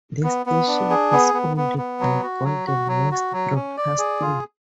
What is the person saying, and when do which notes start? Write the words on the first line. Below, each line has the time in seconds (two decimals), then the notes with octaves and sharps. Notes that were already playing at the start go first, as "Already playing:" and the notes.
The station is owned by Golden West Broadcasting.
0.24 B3
0.46 B3
0.67 D4
0.90 G#4
1.12 B3
1.34 B3
1.57 B3
1.78 B3
2.00 F#3
2.23 F#4
2.44 F#3
2.67 F#4
2.88 F#3
3.11 F#4
3.33 F#3
3.55 C#4
3.77 D5
3.99 G#4
4.22 F4